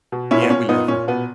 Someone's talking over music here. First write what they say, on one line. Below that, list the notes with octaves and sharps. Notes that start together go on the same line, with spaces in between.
Yeah, we left her.
B2
A#2 C#4 E4
B3
A#2 C#4
A#2 B3 D#4
A#2 C#4
B2 B3